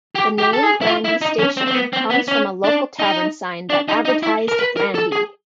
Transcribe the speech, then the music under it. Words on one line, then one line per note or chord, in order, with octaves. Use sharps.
The name Brandy Station comes from a local tavern sign that advertised brandy.
G4
G4
A4
G#4
E4
F4
E4
D#4
C#4
C4
C4
B3
C4
B3
C#4
D4
D#4
D4
D#4
D#4
E4
A#4
B4
A#4
A4
G#4